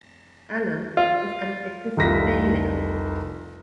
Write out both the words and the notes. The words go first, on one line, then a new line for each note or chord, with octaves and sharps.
Allen is an Episcopalian.
F4
F1 C2 F4 A#6 B6